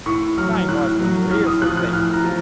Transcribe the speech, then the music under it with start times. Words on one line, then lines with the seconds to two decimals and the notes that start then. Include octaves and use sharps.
Time was when your ears were clipped.
0.06 A2 C#6
0.38 F#3 F6
0.69 A2 F#6
0.99 F#3
1.31 A2 F6
1.46 D#6
1.62 F3 F#6
1.77 F#6
1.93 A2 F6
2.13 A#5
2.24 F3